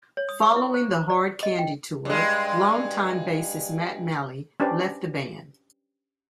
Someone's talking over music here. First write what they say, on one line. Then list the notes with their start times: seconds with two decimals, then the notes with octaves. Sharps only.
Following the Hard Candy tour, longtime bassist Matt Malley left the band.
0.17 C#5
0.29 D#6
0.42 C#6
0.56 E4
0.74 C5
0.91 C5
1.10 D5
1.43 D#5
1.59 G5
2.05 G2 G#3
4.60 C#4 D4 G4 B4 C5 D5